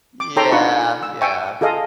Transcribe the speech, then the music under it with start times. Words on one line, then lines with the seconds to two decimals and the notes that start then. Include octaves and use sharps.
Yeah. Yeah.
0.20 D6
0.36 D#4 A4 C#5 G5 A#5 C6
0.52 D4 D#4 F4 F#5 B5 C#6
1.03 E6
1.21 E5 G5 G#5 C#6
1.61 F4 G#4 A4 D#5 F5